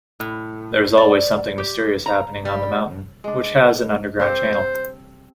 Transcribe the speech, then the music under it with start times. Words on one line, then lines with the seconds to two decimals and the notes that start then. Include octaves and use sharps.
There is always something mysterious happening on the mountain, which has an underground channel.
0.20 A2
0.97 D5
1.58 G4
2.06 A#5
2.45 G3
3.24 G#3 D4
4.20 C4 G4 A4 C5